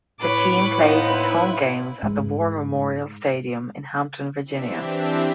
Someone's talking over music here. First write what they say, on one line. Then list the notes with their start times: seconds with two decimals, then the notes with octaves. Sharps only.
The team plays its home games at the War Memorial Stadium in Hampton, Virginia.
0.21 A2 B4 C#5 D6
0.81 A#3 B3 D#4 B4 C5
1.11 E4
2.03 G#2 G#3
4.45 E3 C4 D4 G4 E5